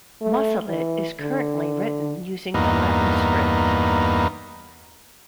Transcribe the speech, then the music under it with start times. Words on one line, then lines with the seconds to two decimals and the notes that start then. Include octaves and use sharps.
Masalit is currently written using the Latin script.
0.22 A3
0.68 E3
1.20 D3
2.54 E2 G2 A#3 B3 D#4